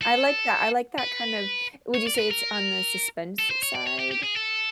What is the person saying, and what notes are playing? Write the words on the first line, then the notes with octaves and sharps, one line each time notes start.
I like that I like that kind of would you say it's on the suspense side?
A4
B4
C#5
D5
A#4
B4
A#4
A4
C5
C#5
D5
C#5
G4
G4
G#4
A4